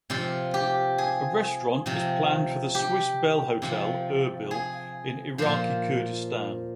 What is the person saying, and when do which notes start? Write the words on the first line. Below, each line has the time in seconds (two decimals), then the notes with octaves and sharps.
A restaurant is planned for the Swiss-Belhotel Erbil in Iraqi Kurdistan.
0.10 C3 F3 F4
0.54 G4
0.98 G#4
1.86 C3 F3
2.75 G4
3.62 C3 F3
4.51 G#4
5.38 A#2 F3 C5